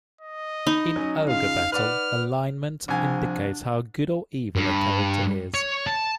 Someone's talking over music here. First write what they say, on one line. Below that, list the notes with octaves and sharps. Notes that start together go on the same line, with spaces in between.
In "Ogre Battle", alignment indicates how good or evil a character is.
D#5
D#4 B5
F#3 C#4
C#3 F4 F5
B4 D5 F#5 F6
C2 F3 D4 G#5
G2
C#5
A5